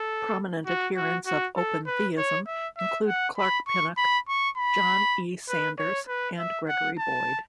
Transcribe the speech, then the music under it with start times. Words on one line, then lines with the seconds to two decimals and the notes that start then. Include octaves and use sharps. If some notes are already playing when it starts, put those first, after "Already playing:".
Prominent adherents of open theism include Clark Pinnock, John E. Sanders and Gregory Boyd.
Already playing: A4
0.66 F#4
0.96 F#4
1.26 F#4
1.57 A4
1.86 B4
2.18 C#5
2.47 E5
2.78 E5
3.07 F#5
3.38 B5
3.68 C#6
3.97 B5
4.28 C#6
4.57 B5
5.49 B4
5.79 C#5
6.08 B4
6.39 E5
6.69 F#5
6.98 A5